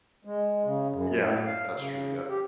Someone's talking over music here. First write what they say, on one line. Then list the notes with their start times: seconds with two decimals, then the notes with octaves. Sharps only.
Yeah. That's true. Yeah.
0.25 G#3
0.64 C#3
0.93 F#2
1.15 A2
1.46 F5
1.75 C#3
2.29 G4